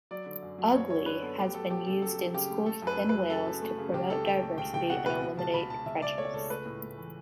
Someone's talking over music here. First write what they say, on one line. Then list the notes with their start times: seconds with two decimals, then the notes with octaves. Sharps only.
"Ugly" has been used in schools within Wales to promote diversity and eliminate prejudice.
0.11 F#3 D5
0.26 D3
0.43 F#2
0.58 F#3
0.74 F#2 C#5
0.90 D3 C#5
1.06 D3 B4
1.22 B3 A4
1.38 A3 G4
1.54 F#3 A4
1.70 F#3 G4
1.87 C#3 A4
2.02 F#3 A4
2.18 F#3
2.34 C#3 G4
2.50 A3
2.66 A3 A4
2.82 F#2 B4
2.98 F#2
3.09 F#3 B4
3.30 C#3 A4
3.46 F#2
3.62 A3
3.78 C#3
3.94 C#2 G4
4.10 A3 A4
4.25 C#2 G5
4.43 A3
4.57 C#2 G5
4.74 C#2 G5
4.90 B2 F#5
5.06 B2 B4
5.22 B2
5.37 C#2 A5
5.54 C#2 B5
5.70 B2 A5
5.86 C#2 E5
6.02 C#2 D5
6.18 A3 C#5
6.34 C#2 A4
6.50 A3 B4
6.66 A2
6.82 A2
6.98 E3